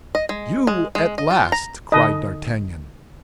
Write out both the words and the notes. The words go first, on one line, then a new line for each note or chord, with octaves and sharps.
"You at last?" cried d'Artagnan.
D#5
G#3
G#3
G#3
D#5
F4
A#5
D3 D#4 D#5